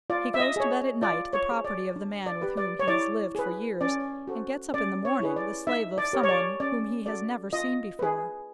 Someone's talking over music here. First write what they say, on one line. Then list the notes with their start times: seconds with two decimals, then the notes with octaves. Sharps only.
He goes to bed at night the property of the man with whom he has lived for years, and gets up in the morning the slave of some one whom he has never seen before!
0.10 F4 D5
0.34 E5
0.40 D#5
0.56 G#4 C#5
1.02 F4 D5
1.33 C#5
1.49 G#4 C5
1.65 D5
1.96 D4
2.26 D5
2.41 G4 B4
2.57 D5
2.79 C#5
2.88 E4 D5
3.35 G#4 B4
3.81 C#4 D5
4.28 F#4 A4 C5
4.74 C#4 D5
5.05 C#5
5.20 E4 G#4 B4
5.36 D5
5.67 D#4 E5
5.98 D5
6.13 G4 A#4 C#5
6.24 C#5
6.29 D5
6.60 C#4 D5
7.06 F#4 A4 D5
7.53 F4 D#5
7.99 G#4 B4